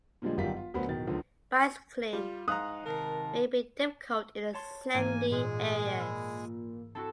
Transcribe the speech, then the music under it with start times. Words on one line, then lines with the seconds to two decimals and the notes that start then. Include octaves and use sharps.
Bicycling may be difficult in the sandy areas.
0.22 A#2 D3 F3 G3 G#3
0.37 G1 F#2 D#3 G3 F4 B6
0.56 F4
0.74 D2 F#3 B3 A#4 C5 B5
0.88 D1 B2 D#3 A6
1.07 C#2 D3 D#3 F3
2.13 G3 F4
2.48 G#2 D#4 F5 A#5 D#6 F#6
2.85 C3 D#3 A#4 A5
4.53 C#5 A5 C6
4.94 G#2 E3 A#3 G#5
5.32 A#2 G#3 G#4
5.99 B5 E6 F6
6.95 C4 E4 F#4 A4